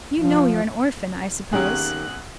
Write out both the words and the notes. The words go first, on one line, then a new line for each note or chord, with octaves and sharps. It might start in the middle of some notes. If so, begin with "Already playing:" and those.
You know you're an orphan, I suppose?'
F3
B1 D#3 A#3 C#4 G4 G#4 F#6